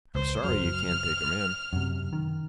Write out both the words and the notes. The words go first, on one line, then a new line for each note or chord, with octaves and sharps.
I'm sorry you can't take him in.
C#2 C5
F#1 F#3 F6
F#2 C3
D#3